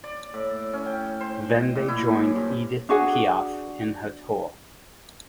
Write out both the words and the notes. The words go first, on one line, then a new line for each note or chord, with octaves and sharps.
Then they joined Edith Piaf in her tour.
D5
A2
C#4
G5
C5
D#5
A#2
E4
F#2
G2
D4 F#4 G#4 F#5